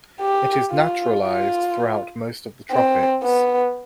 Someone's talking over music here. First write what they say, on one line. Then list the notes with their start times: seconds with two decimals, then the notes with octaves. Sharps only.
It is naturalized throughout most of the tropics.
0.21 G4
0.71 F4
1.21 F4
2.72 C4
3.23 B3